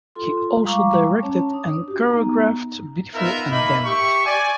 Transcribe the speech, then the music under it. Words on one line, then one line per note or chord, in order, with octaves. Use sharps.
He also directed and choreographed "Beautiful and Damned".
F4 A4 C6
G3 G#3 F5 A#5 C#6 D6
C#4 C#5 A5
D4 D#6
F#4 G4
B3 D#4 A#5
B3 D#4 F4 A#4 E5
A#3 D#4 D#5 E5 B5
G4 E5 C#6
D5 G#5